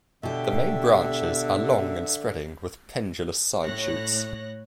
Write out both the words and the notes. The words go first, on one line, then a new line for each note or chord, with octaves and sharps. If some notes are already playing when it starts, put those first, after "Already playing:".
The main branches are long and spreading with pendulous side shoots.
B2 D3 G4 E5
A2 C#5 F#6 A#6